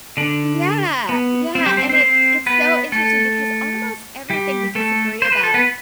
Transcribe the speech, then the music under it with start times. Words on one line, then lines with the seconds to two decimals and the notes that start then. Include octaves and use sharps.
Yeah, yeah, and it's it's so interesting because almost everything we disagree about,
0.17 D3 D4
1.09 B3
1.55 C4
1.66 G3 G4
1.77 C4 C5
1.89 C4 C5
2.00 C4 C5
2.46 B3 B4
2.92 A3 A4
4.30 G3 G4
4.75 A3 A4
5.22 C5
5.32 B4
5.43 A4
5.54 B3 B4